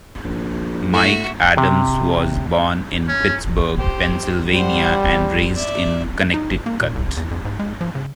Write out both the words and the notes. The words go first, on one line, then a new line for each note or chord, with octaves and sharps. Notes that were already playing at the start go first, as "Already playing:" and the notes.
Mike Adams was born in Pittsburgh, Pennsylvania and raised in Connecticut.
A#1
A2 F#4 E5
C3
C#4
G4 C5
G3 C5 F#5
C4
D5 E5
D#4
G1
A#3
A#2
C2
E2
F2
G#2
G#3
F3
C#3